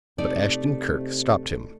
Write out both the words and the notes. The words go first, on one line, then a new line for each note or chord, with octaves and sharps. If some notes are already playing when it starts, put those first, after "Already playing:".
But Ashton-Kirk stopped him.
C3 A3 D#4 D5